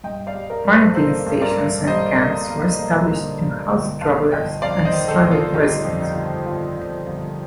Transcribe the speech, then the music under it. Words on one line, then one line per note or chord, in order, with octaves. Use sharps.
Quarantine stations and camps were established to house travelers and stranded residents.
G2 D#5 G5
D5 F5
G3
A#4 D5
G2
A4 C5
A#3 A4 C5
G2
A#4 D5
G2
G3 C5 D#5
A#3
A#3
A#3
D3
A#3
G1 D#5 G5
G1 F5 A5
G1 D#5 G5
F2 D5 F5
C5 D#5
D#3
A4 C5
G1
F4 A4
G1 D#4 G4
F2
D#4
G1
G1 F4
G1
G1